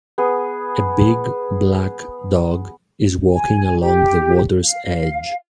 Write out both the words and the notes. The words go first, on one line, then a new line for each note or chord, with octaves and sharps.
A big, black dog is walking along the water 's edge.
B3 G#4
G#5
G4
F5